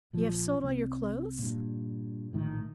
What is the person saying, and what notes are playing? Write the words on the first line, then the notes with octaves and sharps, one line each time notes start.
"You have sold all your clothes?"
A#1 F3
C2 C4
G2 A#2
A#1 A2 D#3